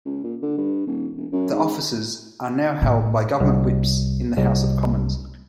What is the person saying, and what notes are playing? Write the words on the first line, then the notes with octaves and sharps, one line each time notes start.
The offices are now held by Government whips in the House of Commons.
C#2
A#2
D3
G2
D#1
E1
F#2
G#2
A2
C2
C2